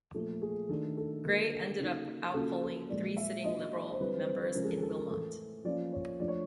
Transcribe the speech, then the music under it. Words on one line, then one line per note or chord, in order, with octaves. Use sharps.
Gray ended up out-polling three sitting Liberal members in Wilmot.
A#2 F3 A3 A4
G#4
D#3 F#3 A3 D4 A4
A4
D3 F#3 A#3 D4 A#4
A4
C#3 F#3 A#3 D#4
C#3 F#3 A#3 C#4 F4 A4
A4
A#2 F3 G#3 D5
E5
F#3 A#3 D4 F4 D#5
C5
D3 G3 C4 E4 B4
C5
C5
C#3 F3 G#3 C#4 A#4
G#4
A4
A4
A#4
A2 E3 A3 A4
F3 A#3 C#4 F4 D5
C#5
F3 A3 D4 D5
C#5